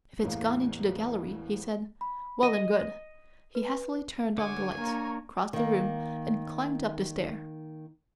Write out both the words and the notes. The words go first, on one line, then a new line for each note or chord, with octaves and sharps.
"If it's gone into the gallery," he said, "well and good." He hastily turned on the lights, crossed the room, and climbed up the stair.
A1 E2 A2 A#3
B5
D#5 D#7
B4
D3 C#5 F#5 G#5 D6
A#3 D4 A#5 C#6
D#3 A#3